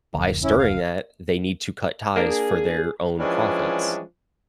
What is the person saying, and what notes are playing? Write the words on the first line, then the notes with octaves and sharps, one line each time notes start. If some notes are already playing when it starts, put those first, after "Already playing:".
by stirring that, they need to cut ties for their own profits,
F1 D2
C#4 E4
F5
A#3 D4 G#4 A#4
E3 F3 G3 G#3 C#4 D4